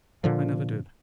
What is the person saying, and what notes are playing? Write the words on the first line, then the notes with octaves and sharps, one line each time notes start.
"I never did."
A#2 D3 F3